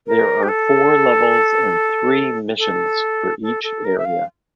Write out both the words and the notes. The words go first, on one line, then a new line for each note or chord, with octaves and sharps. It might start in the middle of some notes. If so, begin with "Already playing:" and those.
There are four levels and three missions for each area.
A#4
G4
A4
A4
A4
A4
A#4
E5
F5